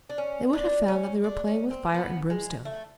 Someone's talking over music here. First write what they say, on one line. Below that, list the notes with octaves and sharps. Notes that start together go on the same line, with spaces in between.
They would have found that they were playing with fire and brimstone.
D4
C#4
D4
C#4
D4
C#4
C4
B3
G#3
A3